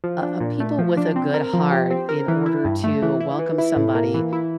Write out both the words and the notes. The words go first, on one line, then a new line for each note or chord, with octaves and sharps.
uh, people with a good heart in order to welcome somebody,
F3
D4
A#2
A3
F3
D4
C4
A#4
F3
G4
C4
A#4
E3
E4
G2
A3
E3
E4
E3
E4
A2
A#3
E3
E4